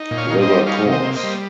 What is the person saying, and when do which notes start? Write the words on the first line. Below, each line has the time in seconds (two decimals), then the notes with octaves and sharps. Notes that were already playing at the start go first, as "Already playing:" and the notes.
River Course!
Already playing: D#4
0.11 A#2
0.18 C#5 F5
0.30 D#4
0.42 C5 D#5
0.48 G3
0.66 D#4 C#5 F5
0.86 C3
0.92 C5 D#5
1.04 A#3
1.16 C5 D#5
1.23 G3